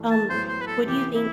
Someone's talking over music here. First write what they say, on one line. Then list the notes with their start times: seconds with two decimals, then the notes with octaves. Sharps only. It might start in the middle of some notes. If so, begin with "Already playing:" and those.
Um, what do you think,
Already playing: G2 E3 A3
0.11 A5
0.29 A2 F#3 B3 E4 C5
0.48 C5
0.61 B4
0.67 A4
0.86 C3 E3 B3 G4
1.14 E4